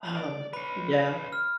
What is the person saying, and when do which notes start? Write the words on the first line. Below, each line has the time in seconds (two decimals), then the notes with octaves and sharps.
um, yeah.
0.16 D5
0.53 B4 C#5 B5
1.32 F6